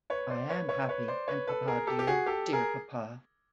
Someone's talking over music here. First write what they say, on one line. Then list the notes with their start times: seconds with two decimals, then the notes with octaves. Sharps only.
I am happy — and papa, dear, dear papa!
0.10 B4 C#5
0.30 C5 D5
0.50 B4 C#5
0.68 B4 C#5
0.89 B4 C#5
1.08 C5 D5
1.28 B4 C#5
1.47 A4 B4
1.68 G#4 A#4
1.87 G4 A4
1.99 G4
2.07 F#4 G#4
2.26 G4 A4
2.53 G#4 A#4